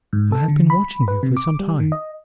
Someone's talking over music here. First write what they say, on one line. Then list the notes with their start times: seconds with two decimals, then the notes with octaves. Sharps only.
"I have been watching you for some time."
0.13 G#2
0.32 A4
0.48 D3
0.70 B5
1.08 B4
1.23 C3
1.37 D6
1.59 G3
1.80 D#3
1.92 D#5